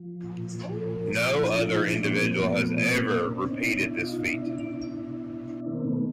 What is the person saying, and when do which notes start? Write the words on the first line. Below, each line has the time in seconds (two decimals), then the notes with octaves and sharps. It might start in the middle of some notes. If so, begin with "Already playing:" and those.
No other individual has ever repeated this feat.
Already playing: F3
0.24 A#2
0.59 F3
0.97 A#2
1.32 F3 D4 E4
1.56 D#4 F4
1.68 A#2
1.80 D4 E4
2.04 F3 A#3 C4
2.40 A#2 A3 B3
2.66 B3
2.77 B2 A#3 C4
3.01 A#3 C4
3.13 B2
3.25 C4 D4
3.49 B2 C#4 D#4
3.65 D#4
3.73 D4 E4
3.86 B2
3.97 D#4 F4
4.22 B2 D4 E4
4.58 B2
4.95 B2
5.30 B2
5.66 D#3 A#3 C4
5.84 A3 B3